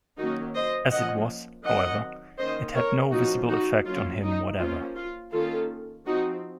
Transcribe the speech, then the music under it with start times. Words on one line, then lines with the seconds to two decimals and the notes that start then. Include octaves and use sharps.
As it was, however, it had no visible effect on him whatever.
0.18 D#3 F#3 A#3 C#4 D#4 F#4
0.55 C5 D#5
0.91 F3 A#3 C#4 D#5 F#5
1.65 D#3 F#3 C4 D#5 F#5
2.38 D#3 A#3 C#4 C5 D#5
2.75 A#4 C#5
3.12 F3 A#3 C#4 D#4 F#4
3.48 D#4 F#4
3.86 F#3 A#3 C#4 F4
4.22 D#4
4.59 F3 A#3 C#4 F4
4.96 F4
5.33 D#3 A#3 C#4 F4 A4
6.06 F3 C4 D#4 F#4